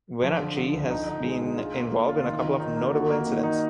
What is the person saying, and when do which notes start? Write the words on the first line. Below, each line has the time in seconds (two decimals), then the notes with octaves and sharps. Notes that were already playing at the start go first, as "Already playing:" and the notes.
"Wenatchee" has been involved in a couple of notable incidents.
0.23 F3
0.40 D3
0.57 D3
0.74 D2
0.91 D#4
1.07 D#4
1.24 G#3
1.42 D3
1.58 F4
1.75 A#3
1.92 F4
2.09 F4
2.26 D#3
2.42 D#3
2.60 D#4
2.76 A#3
2.93 F#4
3.10 A#3
3.27 D#3
3.43 D#4